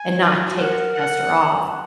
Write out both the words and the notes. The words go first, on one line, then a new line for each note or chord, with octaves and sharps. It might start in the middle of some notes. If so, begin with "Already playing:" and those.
and not take a semester off."
Already playing: G#5
D#4
F4
F#4
A#4 F#5
F#5